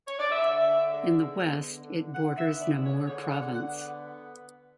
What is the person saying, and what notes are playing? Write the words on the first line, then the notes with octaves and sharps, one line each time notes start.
In the west it borders Namur Province.
C#5
D5
D3 E5
D3
G#3
B3
D3
D3
D3 F#5
E5
B3
D5
G#3
C#5
D3 C#5
F#5
D3
F#5
B3